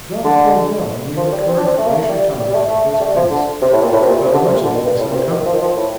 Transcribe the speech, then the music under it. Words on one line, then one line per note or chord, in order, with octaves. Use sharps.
The dogs pulled well, and we went towards the Glacier Tongue at a brisk pace; found much of the ice uncovered.
D3
F3
G3
C4
D4
C4
A3
A#3
A3
G3
G3
G3
A3
A3
A3
G3
F3
D3
C3
A2
A#2
A2
C3
A#2
C3
D3
C3
A#2
D3
D#3
G2
A2
A#2
C3
D#3
F3
D#3
F3
A2